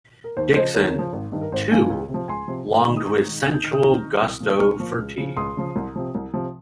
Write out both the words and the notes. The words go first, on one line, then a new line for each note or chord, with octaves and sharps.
Dickson, too, longed with sensual gusto for tea.
A#4
D#2 C5
C#3 F3 C5 D#5
D#2 A#4 C#5
C#3
F3
G#1
G2 D#3
A#4
G#1 C5
G2 D#3 F5 G#5
C#2
C3
F3
C#2 G#5 C6
C3 F3
G#1
G#2 D#3
D#6
G#1 A#5 C#6
G#2 D#3
D#2
G6
D#3 F6
D#6
D#2 A#5 C#6
D#3
C2
A#2 F3
C2 C#6 F6
A#2 F3
C#2
C#3 F3
C#2 C6 D#6
C#3 F3
C2
C3 F3
C2
C3 F3